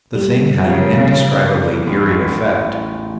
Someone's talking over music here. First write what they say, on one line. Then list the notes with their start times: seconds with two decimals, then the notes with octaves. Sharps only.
The thing had an indescribably eery effect.
0.15 G3
0.64 C#3 F3 G3 A#4
1.87 A1 E2